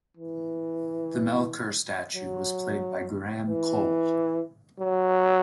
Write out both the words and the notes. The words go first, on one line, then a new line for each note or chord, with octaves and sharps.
The Melkur statue was played by Graham Cole.
E3
F#3
E3
F#3